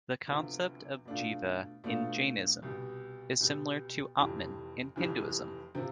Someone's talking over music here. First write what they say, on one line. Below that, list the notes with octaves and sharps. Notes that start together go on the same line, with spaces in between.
The concept of "jiva" in Jainism is similar to "atman" in Hinduism.
D2 C3 F3 B3
B2 A3 D4 F4
B2 A3 D4 F4
C2 B2 G3
C2 B2 G3
F1 F2 E3 G3
F1 F2 E3 G3
C3 F3 C4 G4